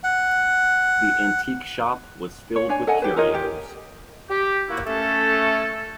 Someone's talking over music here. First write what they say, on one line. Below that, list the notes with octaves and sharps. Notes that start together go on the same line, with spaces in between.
The antique shop was filled with curios.
F#5
C#5
D4 C#5 G#5
A4 D#5 F#5 G#5
G4 B4
F4 A#4 C#5 D#5
G4
G4
A#3 E4 F#4
A3 C#4 A4